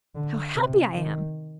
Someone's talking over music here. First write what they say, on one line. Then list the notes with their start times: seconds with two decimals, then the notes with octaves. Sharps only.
How happy I am!
0.15 D3
0.55 C3
0.95 D#3